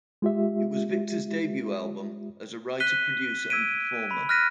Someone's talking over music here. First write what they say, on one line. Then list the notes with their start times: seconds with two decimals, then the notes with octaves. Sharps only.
It was Victor's debut album as a writer, producer and performer.
0.22 G#3 F4 G4 E5
2.80 F#6 B6 D#7 G7
3.50 E6 G#6 B6 D7 D#7
4.11 B5
4.29 F6 F#6 A#6 B6 D#7